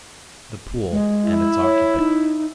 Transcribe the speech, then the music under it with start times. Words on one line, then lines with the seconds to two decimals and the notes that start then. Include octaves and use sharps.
The pool--and its occupant.
0.91 G#3
1.26 E4
1.62 C#5
1.98 D#4